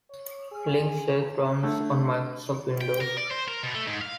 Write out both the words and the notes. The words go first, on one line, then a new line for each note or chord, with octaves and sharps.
Link Sleuth runs on Microsoft Windows.
C#5
G#4
D3 A3
G5
A#4
D5
C5
A#4
B2
A3
G#2
F5